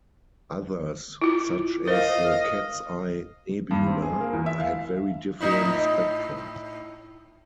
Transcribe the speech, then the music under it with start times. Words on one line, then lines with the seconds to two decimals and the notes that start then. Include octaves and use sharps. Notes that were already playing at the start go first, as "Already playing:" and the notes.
Others, such as the Cat's Eye Nebula, had very different spectra.
1.21 E4 F4
1.87 F4 A#4 C5 D#5 F5
3.71 G2
3.87 C4
4.02 G#4
4.20 A#3
4.33 E2
4.46 E5
4.60 F5
5.41 A2 D#4 E4